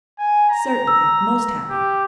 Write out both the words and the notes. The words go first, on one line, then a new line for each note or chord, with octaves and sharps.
"Certainly; most happy."
G#5
A#5
E6
G4